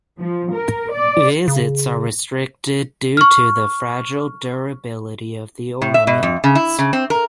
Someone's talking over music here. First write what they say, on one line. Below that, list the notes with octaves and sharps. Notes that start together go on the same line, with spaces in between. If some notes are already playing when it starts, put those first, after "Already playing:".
Visits are restricted due to the fragile durability of the ornaments.
F3
A#4
D5
C#3
C#6 F6
A2
E5
B2
F2
C#3
E4
C#3
C4
A#4